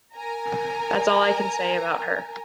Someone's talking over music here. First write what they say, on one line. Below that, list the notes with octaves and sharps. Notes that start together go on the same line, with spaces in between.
That's all I can say about her.
A#4 G#5 A#5